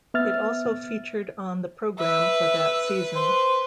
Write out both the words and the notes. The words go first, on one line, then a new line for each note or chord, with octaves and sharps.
It also featured on the programme for that season.
B3 E5 F6 A6
B4 E5
C5